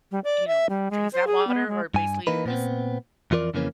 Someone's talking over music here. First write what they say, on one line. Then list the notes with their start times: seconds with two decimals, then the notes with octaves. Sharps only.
you know, drinks that water or, basically, in this
0.11 G3
0.24 D5
0.47 E5
0.69 G3
0.91 G#3
1.13 C5
1.27 G#4
1.47 B3
1.68 G#3
1.94 G2 G#5
2.27 E3 A#3 D#4 B4
2.46 A#2 B3 C4
3.31 F2 E3 F4 A#4 D5
3.54 F2 C#3 E3 A#3 C#4